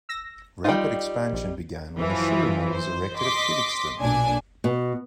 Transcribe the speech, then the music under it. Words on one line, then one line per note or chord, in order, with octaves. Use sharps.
Rapid expansion began when a sugar mill was erected at Felixton.
E6 A#6
G3 D#4 F4 G5
A#1
F#2 E3 F3
C5
D#5 C6 D6 B6
B1 A#2 D4 G#5
B2